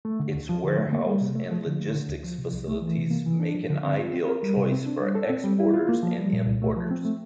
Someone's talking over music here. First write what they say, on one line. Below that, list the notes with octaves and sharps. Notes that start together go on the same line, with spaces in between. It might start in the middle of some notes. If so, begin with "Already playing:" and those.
Its warehouse and logistics facilities make an ideal choice for exporters and importers.
A3
D3
D2
F3
D3
A3
A#3
G3
C3
A3
F3
D3
A3
D3
D2
F3
C3
C2
A3
E3
C3
A#3
E3
D4
F3
D3
C4
F4
C4
A#4
G3
C3
C4
D4
G3
A4
C4
G3
E4
F4
A#3
F3
G3
A#2
C2
A3
F3
C4
A3